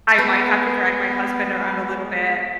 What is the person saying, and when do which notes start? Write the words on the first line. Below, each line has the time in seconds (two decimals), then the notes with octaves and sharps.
I might have to drag my husband around a little bit
0.18 G#3 B3 B4